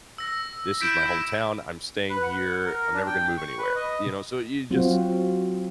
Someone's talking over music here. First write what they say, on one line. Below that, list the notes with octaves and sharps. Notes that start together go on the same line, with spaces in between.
"This is my hometown, I'm staying here. I'm never gonna move anywhere." You know? So you just
E6 A#6
E4 G6 B6 D7 E7
B4
F#5
A#4
D4
G5
C#6
B4
D#5
F#3 C4 F4 F#4